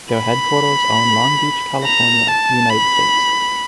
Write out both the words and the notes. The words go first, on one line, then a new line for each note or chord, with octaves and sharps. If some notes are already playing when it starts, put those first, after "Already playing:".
Their headquarters are in Long Beach, California, United States.
B5
A#5
A5
B5